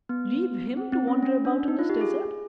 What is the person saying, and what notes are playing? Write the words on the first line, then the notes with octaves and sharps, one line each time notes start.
Leave him to wander about in this desert!
B3
C4
C4
C#4
C#4
D4
D#4
F4
G4
G#4